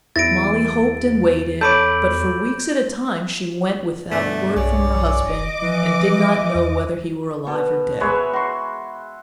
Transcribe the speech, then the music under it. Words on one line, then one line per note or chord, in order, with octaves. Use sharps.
Molly hoped and waited, but for weeks at a time she went without word from her husband and did not know whether he were alive or dead.
E2 E4 A6 A#6 D7
A4 C#5 A5 B5 D6 G6 D7
G2 B2 D3 A3
B1 G#4 C#5 D5
F1 D#5 D6
E3 F3
E2
B2
G#3 B4 C#5 E5
F#4 C6